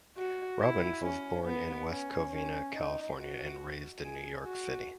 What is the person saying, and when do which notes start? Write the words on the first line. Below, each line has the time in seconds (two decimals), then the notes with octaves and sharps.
Robbins was born in West Covina, California, and raised in New York City.
0.17 F#4
0.60 E4
1.02 C#4
1.45 B3
1.88 C#4
2.30 C#4
2.74 D#4
3.16 F#4
4.02 G#4
4.45 F#4